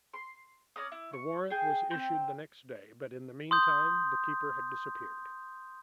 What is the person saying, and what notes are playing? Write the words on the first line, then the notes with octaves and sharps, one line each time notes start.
The warrant was issued the next day, but in the meantime the keeper had disappeared.
C6
C#4 D5 A#5 D#6
E4
C#6
G#4 G5
C4 G5
C6 D#6 G6